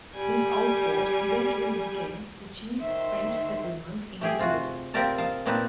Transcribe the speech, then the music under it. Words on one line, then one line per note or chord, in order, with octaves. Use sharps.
This outpost eventually became the chief French settlement in India.
G3 G#5
D#3 C5 E5 C6
A3 G4 G#4
C3 F4 F#4
C4 F4 G4 A#4 D5 A5
A#4 D#5 F5 A5
A#2 A#3 C4 D#4 B4 A5